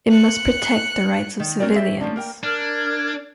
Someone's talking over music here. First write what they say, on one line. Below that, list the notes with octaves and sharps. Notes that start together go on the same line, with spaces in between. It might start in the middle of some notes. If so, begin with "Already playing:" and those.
It must protect the rights of civilians.
F#6 C#7
D#3
C4 C#4 F#4 A#4 D5 G5
G4 C#5 E5
F3 F#3 C#4 D4
A#3 A#4 G5
D4 A#4 F6 G#6